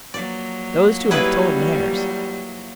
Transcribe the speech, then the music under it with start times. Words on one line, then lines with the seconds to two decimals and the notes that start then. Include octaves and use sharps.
"Those two have told theirs."
0.14 F3 F#3 A#3 D5
1.11 G3 E4 G#4 B4